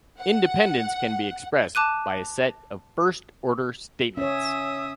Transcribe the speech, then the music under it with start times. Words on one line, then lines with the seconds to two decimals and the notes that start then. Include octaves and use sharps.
Independence can be expressed by a set of first-order statements.
0.19 F#5
1.75 A5 D6 F#6 D#7
4.17 C#4 C#5 E5 D#6